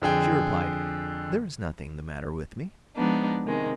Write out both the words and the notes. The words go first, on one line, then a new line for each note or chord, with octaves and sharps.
She replied: "There is nothing the matter with me."
F2 D3 G#4 G5
F3 G#3 B3 D4 D#4
C3 D#3 G#3